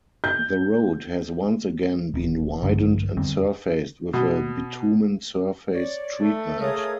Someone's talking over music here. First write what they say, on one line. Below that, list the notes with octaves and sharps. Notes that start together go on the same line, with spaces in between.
The road has once again been widened and surfaced with a Bitumen Surface Treatment.
G6
D#1
A#1 G2 D3 F3
F2 D3 G3 C4
B2
C#5 D5
A3
G#4 A#4 C#5 D#5 F5 D#6